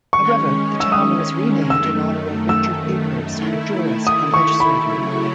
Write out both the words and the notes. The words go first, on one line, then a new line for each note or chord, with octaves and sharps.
However, the town was renamed in honor of Richard Dewhurst, a jurist and legislator.
D#3 G#3 C#4 C#6
E6
D#6
F#2 D#3 A3 E6
E6
D#3 A3 E4
D#6
C#6
B5
C#3 F#3 A3 C#4 E4